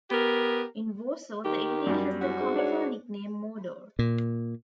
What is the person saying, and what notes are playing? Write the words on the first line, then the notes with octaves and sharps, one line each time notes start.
In Warsaw the area has the comical nickname Mordor.
B3 G4 A#4
D#3 G4
F#2 G3
C2 F#4
G#2
D4 C#5
A#2